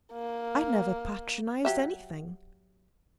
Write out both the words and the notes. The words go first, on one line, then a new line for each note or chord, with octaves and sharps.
I never patronised anything.
A#3
F#3 G4 E5